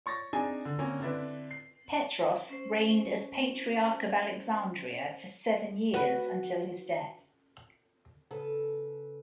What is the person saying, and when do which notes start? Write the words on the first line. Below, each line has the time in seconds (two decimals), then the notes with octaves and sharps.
Petros reigned as Patriarch of Alexandria for seven years until his death.
0.06 C#5 C#6 A6 A#6
0.33 C4 D4 D#4 G#4 G#5 A#5
0.65 D3
0.78 D3 A#3 C4 C#4
1.00 D3 C4 D4 E4 B4
1.51 C7
2.50 C#4 C5
5.94 F#4 B4
8.31 C#3 A4 B4 A5